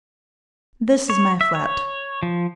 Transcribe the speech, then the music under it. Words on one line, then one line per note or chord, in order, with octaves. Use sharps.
This is my flat.
C#5
E5
C#5
F3